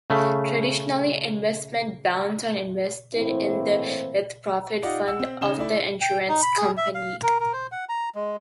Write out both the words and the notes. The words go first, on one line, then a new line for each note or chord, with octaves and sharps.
Traditionally investment bonds only invested in the with-profit fund of the insurance company.
C#3 A3
A2 E3 A#3 C4 E4 C5
D#4 F4 G4 D5 D#5 F#5
F#5 E6
C4
C#3 C#4 D#4 E7 G7
A3 E4 D5
G5
D#4
B5
G#4
E5
F5
A#4
A#4
C5
F#5
A#5
G#3